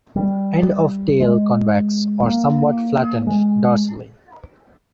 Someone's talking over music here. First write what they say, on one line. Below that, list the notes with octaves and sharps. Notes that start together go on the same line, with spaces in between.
End of tail convex or somewhat flattened dorsally.
G3
G#3
A#3
G#3